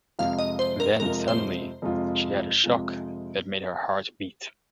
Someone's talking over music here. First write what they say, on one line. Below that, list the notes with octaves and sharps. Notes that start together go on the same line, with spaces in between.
Then suddenly she had a shock that made her heart beat.
F2 C3 G#3 F4 F5
D#5
C5
A#4
F2 C3 G#3 F4 A#4
C5
F2 C3 G#3 F4
F2 C3 G#3 F4